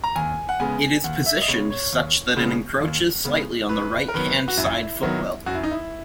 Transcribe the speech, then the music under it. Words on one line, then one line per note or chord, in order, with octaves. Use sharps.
It is positioned such that it encroaches slightly on the right-hand-side footwell.
A#5
D#2 G#5
F#5
C#3 G#3 B3 G#5
D#2 F#5
E5
D#5
C#3 G#3 B3 C#5
C#5
D#2
C#3 G#3 B3
D#2
C#3 G#3 B3
F#2 B4
A#4
D#3 F#3 B3 B4
F#4
F#2 E4
D#3 F#3 B3
F#2 F#4
E4
D#4
E4